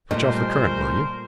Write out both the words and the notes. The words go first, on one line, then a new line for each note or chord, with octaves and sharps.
Switch off the current, will you?
A#2 G3 A3 A#4 C5 D#5